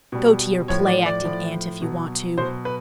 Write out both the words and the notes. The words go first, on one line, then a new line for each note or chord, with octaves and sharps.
Go to your play-acting aunt if you want to.
B2 G3
A2 F3 C#5
D5
D5
A2 F3
B2 F#3
B2 F#3 C5
B4